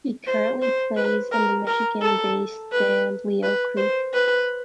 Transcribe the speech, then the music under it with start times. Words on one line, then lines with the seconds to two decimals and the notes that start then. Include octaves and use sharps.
He currently plays in the Michigan-based band Leo Creek.
0.27 C5
0.62 C5
0.97 B4
1.32 A#4
1.67 A#4
2.02 A4
2.73 B4
3.43 B4
3.77 C5
4.13 B4